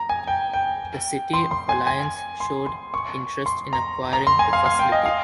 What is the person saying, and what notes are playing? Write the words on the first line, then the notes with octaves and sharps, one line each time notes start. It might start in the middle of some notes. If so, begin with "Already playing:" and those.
The city of Alliance showed interest in acquiring the facility.
Already playing: A#5
G#5
G5
G5
C6
C6
G#5
G#5
C6
C6
C#6
C6
A#5
A#5
C6
G#5
F5
F5
G5
D#5
F5